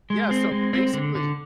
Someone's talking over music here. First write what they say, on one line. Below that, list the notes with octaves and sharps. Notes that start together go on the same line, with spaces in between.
Yeah, so basically
G#3
C4
G#3
C4
D3
D3